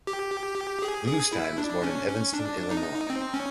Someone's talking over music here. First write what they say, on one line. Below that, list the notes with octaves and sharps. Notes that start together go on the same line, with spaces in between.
Bluestein was born in Evanston, Illinois.
G4
G#4
G#4
E4
D4
C#4
C#4
D4
D#4
C4
C#4